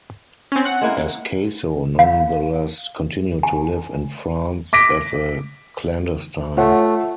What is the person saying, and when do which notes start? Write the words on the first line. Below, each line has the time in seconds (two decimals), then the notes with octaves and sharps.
Ascaso nonetheless continued to live in France as a clandestine.
0.52 C4 C#4
0.65 F#5
0.81 G#3 A#3 E4
1.99 F5
3.43 G#5
4.73 D6 A#6 B6 D7
6.57 A3 F4 C#5 F#5